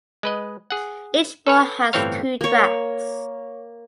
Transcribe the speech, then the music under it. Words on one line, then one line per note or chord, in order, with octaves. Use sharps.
Each bore has two tracks.
G#3 B4 D#5
G#4 F#5
A4 B4 C#5
G1 A2 E3 C4 C#5 F5
A#3 C#5